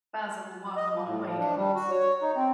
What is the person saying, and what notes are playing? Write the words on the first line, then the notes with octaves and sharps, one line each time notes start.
Basel won on away goals.
D#5
F3
A2
F3
D4
G3
F#4
C#5
D#4
C4